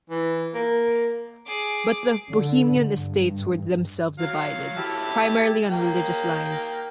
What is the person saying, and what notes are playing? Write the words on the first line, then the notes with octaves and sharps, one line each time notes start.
But the Bohemian estates were themselves divided, primarily on religious lines.
E3
A#3
G#4 D6
D3
G2
F#3 F5
E4 G4 A5
A#3 G5